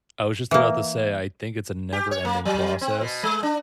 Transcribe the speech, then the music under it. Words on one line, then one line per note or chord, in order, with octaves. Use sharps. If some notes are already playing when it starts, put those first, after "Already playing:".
I was just about to say I think it's a never-ending process
E3 A#3
G4
C#5
A#3
F#3
C4
B2
G#3
D4